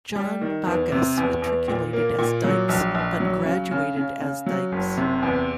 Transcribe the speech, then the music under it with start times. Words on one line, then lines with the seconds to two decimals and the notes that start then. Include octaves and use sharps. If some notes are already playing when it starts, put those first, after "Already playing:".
John Bacchus matriculated as Dikes but graduated as Dykes.
0.16 G3
0.41 D#3
0.67 E2
0.92 C3
1.17 E2
1.42 E2
1.68 A#2
1.93 A#3
2.19 A#2
2.44 F#3
2.69 A#1
2.95 A#1
3.20 F#3
3.45 C#3
3.71 C#3
3.97 C#3
4.22 C#3
4.46 F#3
4.72 F#1
4.97 C3
5.23 E2